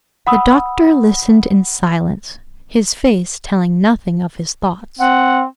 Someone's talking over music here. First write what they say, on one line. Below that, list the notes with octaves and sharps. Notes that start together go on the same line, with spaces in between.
The doctor listened in silence, his face telling nothing of his thoughts.
F#5 B5 D#6 E6
C4 F#5